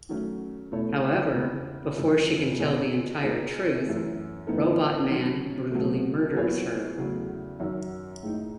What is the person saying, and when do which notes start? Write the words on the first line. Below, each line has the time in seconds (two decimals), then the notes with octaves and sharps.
However, before she can tell the entire truth, Robotman brutally murders her.
0.09 D#3 F#3 A3 C#4
0.72 B2 A3 E4 A4 C#5
1.33 E2 C#3 G#3
1.97 F#2 C#3 E3 G#3
2.59 B2 G#3 D#4 G#4 C#5
3.22 G#3 D#4 G#4 C#5
3.85 F#2 E3 A3
4.47 A2 E3 B3 D#4 A4
5.09 D#3 F#3 C#4
5.71 B2 F#3 A3
6.34 F#3 B3 E4 G#4 C#5
6.97 E2 C#3 F#3 A3
7.60 F#2 D#3 F#3
8.23 A2 G#3 D#4